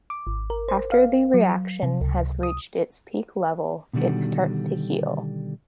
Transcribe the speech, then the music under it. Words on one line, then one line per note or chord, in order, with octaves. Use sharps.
After the reaction has reached its peak level, it starts to heal.
D6
G#1
A#4
C5
F5
F#3
C3
C#2
D#6
B2 D3 D#3 G3 F#4